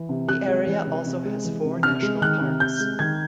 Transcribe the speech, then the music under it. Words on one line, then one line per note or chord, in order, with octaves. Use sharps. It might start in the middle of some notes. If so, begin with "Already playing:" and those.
The area also has four national parks.
Already playing: E3
C3
C3 F#6
G#3
E3
C3
C3
G#3
E3
C3
C3 F6
G#3
D#3 F#6
C3
C3 G6
G#3
D#3 G#6